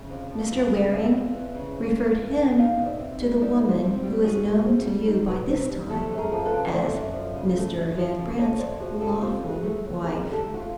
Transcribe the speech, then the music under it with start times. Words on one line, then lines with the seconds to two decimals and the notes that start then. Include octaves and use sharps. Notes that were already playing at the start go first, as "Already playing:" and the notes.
Mr. Waring referred him to the woman who is known to you by this time as Mr. Van Brandt's lawful wife.
Already playing: C#3 E5
0.10 F2
0.30 F2
0.51 E3
0.72 C#3
0.93 F2 D5 E5
1.13 F2
1.34 E3
1.55 C#3
1.76 F2
1.97 F2
2.17 E3
2.38 C#3
2.58 D#4 D#5 F5
2.79 B2
2.86 D5 E5
3.00 C4
3.20 G3
3.41 D#4 D5 E5
3.62 B2
3.69 C5 D5
3.82 C4
4.03 G3
4.24 D#4 F#4 G#4
4.45 B2
4.66 C4
4.86 G3
5.07 D#4
5.27 B2
5.49 C4
5.69 G3
5.90 A3 G4 A4
6.11 F#2
6.17 G#4 A#4
6.31 F3
6.45 A4 B4
6.52 C#3
6.73 A3 C5 D5
6.94 F#2
7.14 F3
7.35 C#3
7.56 A3
7.76 F#2
7.97 F3
8.18 C#3
8.39 A3 C#5 D#5
8.60 F#2 C5 D5
8.80 F3 F#4 G#4
9.01 C#3 G4 A4
9.21 C4 F4 G4
9.42 D3
9.49 F#4 G#4
9.63 A3
9.84 F#3
10.04 C4 G#4 A#4
10.25 D3
10.32 G4 A4
10.46 A3
10.54 F#4
10.60 F4